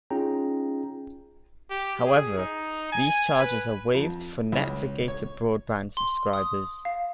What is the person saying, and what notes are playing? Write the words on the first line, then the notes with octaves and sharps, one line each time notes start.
However, these charges are waived for Netvigator broadband subscribers.
C#4 D#4 F4 G#4 G5 A#5
G4
G#4
D#4
G#5
B4
F2
C#2
C#5
C6
D#6
F5